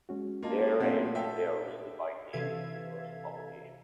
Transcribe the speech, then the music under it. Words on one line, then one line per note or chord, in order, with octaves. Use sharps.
Therein they are listed by date of first publication.
G#3 C#4 F#4
A#3 F4 D#5 A5
A#2 A3 A#3 C4 F4 G#4 F#5
C#5 E5 F5 G5 A5
C3 E3 A4 E5 F5 G#6